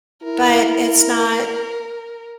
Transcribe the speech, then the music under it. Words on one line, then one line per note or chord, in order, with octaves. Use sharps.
but it's not
E4 A#4